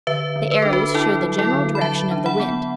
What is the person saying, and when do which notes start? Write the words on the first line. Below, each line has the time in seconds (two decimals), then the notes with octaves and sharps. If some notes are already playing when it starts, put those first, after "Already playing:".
The arrows show the general direction of the wind.
0.07 D3 B4 E5
0.36 D3
0.52 B4
0.62 D4 A4
0.73 F#4 B4
0.94 D4 E4 A4
1.23 F#3
1.39 E4 A4
1.53 D3
1.75 B5
1.81 F#3 E5 A5
2.11 D4
2.26 F#5 B5
2.40 B3